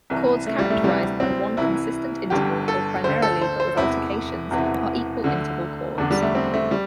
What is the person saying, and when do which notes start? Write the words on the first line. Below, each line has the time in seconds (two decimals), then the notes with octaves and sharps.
Chords characterized by one consistent interval, or primarily but with alterations, are equal-interval chords.
0.10 C2 C3 E3
0.47 A3
0.59 G3
0.70 A3
0.84 D2 C3 E3 G3
1.20 C4
1.57 C2 C3 E3 E4
2.30 G1 G2 D3 G4
2.68 A4
3.04 D2 D3 C5
3.22 A4
3.41 C5
3.60 C5
3.77 E1 E2 C3 E3 E4
4.51 E1 E2 C3 E3
5.24 D2 D3
5.98 E1 E2 D3 D4
6.11 G3
6.22 A3
6.35 C4
6.54 A3
6.71 G3